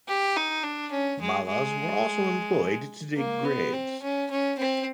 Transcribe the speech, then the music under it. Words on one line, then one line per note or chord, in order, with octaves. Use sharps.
Malas were also employed to dig graves.
G4
D#4
D4
C#4
G#3
G#3
A#3
B3
C4
C#4
C#4
C4